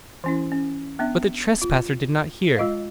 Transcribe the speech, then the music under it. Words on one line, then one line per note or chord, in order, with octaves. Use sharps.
But the trespasser did not hear.
E3 C#4 E4
C#4
B3 D4 E5
F4
G#3 F4 D#5 F5